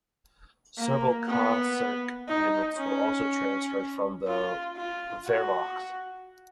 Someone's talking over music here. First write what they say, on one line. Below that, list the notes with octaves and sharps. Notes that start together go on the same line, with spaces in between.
Several Cossack units were also transferred from the Wehrmacht.
A#3
B3
D#4
C#4
F4
F4
F#4